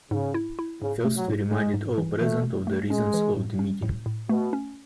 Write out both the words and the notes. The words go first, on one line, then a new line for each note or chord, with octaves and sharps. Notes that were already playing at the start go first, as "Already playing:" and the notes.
First, he reminded all present of the reasons for the meeting.
G#2 C#3
E4
E4
G#2 C#3
A3
F#3
G#2
G#2 G#3
G#2
E3
E3 A3
A3
A3
G#3 C#4
E3
A2
C#4
A2
A2
B2 A3
C#4